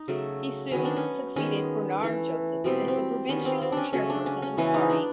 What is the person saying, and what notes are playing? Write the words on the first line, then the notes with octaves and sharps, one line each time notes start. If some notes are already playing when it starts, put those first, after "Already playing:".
He soon succeeded Bernard Joseph as the Provincial Chairperson of the party.
Already playing: D#4
C#3 F#3 A3
D#3 F#3 B3 C#4
D4
C#4
D#3 G#3 B3 C#4
E3 A3
B2 G3 B3 C4
C4
D#3 G3 B3 C#4
C4
C4
C#4 D4
C#3 F#3 A3 C#4
D4
C#4
C#4
C#3 E3 G#3 B3 C#4
D#4
D4